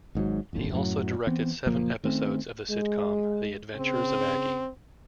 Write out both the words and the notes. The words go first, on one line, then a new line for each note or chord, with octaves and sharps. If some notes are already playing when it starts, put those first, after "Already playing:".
He also directed seven episodes of the sitcom "The Adventures of Aggie".
G#1 G#2 C3 F#3
D1 G1 D#2 D3
F#2 A2 D3 F#3
E3 B3 C4
F#1 A#2 F3 A#3
D#3 A3 C4 C#4
G#3
C#3 C4